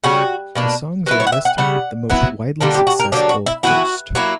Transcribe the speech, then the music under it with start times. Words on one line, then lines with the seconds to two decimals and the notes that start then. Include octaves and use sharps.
The songs are listed with the most widely successful first.
0.04 C#3 G3 C#4 F#4
0.55 B2 A#3 D4
1.06 F#3 B3 E4 B4
1.20 C#5
1.27 F#5
1.32 E5
1.45 F#5
1.58 C#3 G3 F#5
2.10 F#3 B3 E4
2.61 D3 G3 A#3 D4 A#4
2.74 G4
2.87 F#4
2.99 A#4
3.12 D3 F#3 A#3 D4 G4
3.29 F#4
3.46 E4
3.63 E3 B3 E4 F#4
4.15 F#3 A#3 E4